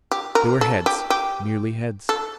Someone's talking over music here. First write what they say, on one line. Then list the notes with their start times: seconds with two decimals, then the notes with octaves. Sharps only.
They were heads--merely heads.
0.11 G4
0.35 A#4
0.61 A4
0.86 G4
1.10 G4
2.09 A4